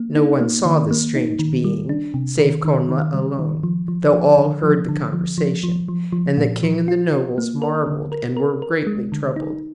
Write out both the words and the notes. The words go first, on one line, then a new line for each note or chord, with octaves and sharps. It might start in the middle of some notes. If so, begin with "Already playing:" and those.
No one saw this strange being save Connla alone, though all heard the conversation: and the king and the nobles marvelled, and were greatly troubled.
Already playing: A#3
D#4
A#3
D#3
A#3
D#4
D#3
G3
D4
C3
D#3
D#3
D#3
G3
D#3
F3
F3
F3
D3
F3
D3
F3
F3
F3
F3
F3
A#2
F3
F4
F4
A#3
A#4
D3
A#4
A#4
A#4
G#3
D3
D#4